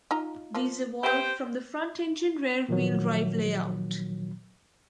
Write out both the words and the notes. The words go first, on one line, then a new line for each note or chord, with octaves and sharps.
These evolved from the front-engine rear-wheel drive layout.
D#4 F4 A#5
F3 A#3 F4
B3 G4 C5 E5 G5
A#2 D#3 F3 F#3